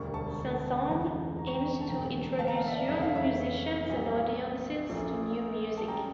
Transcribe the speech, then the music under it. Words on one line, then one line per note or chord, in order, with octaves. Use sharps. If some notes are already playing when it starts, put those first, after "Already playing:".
This ensemble aims to introduce young musicians and audiences to new music.
Already playing: E1 D2 D3 G3 A#3 C#6
A5 C#6
F1 E2 C#3 E3
A#5
C#6
G5 A#5
A5
E1 E2 D3 G5 A#5
F5 A5
A#5
F5 A5
E5
D5 F5
F1 E2 C#3 E5
F5
C#5 E5
A#1 A#2 G3
A#1 A#2 F3 A3 C#4
A5
C#3 G3 C#4 G5 A#5